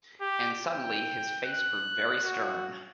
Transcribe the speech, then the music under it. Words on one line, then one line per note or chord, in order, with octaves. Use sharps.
And suddenly his face grew very stern.
G4
G5
F#6
F#4